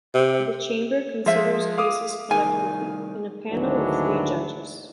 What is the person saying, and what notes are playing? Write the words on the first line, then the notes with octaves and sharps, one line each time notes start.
The Chamber considers cases collectively, in a panel of three judges.
C3
F3 G#3 F4 C5 E5
F5 D6 D#6
C2 D#3 G#5
D2 G#2 D#3 E3 F#3 D4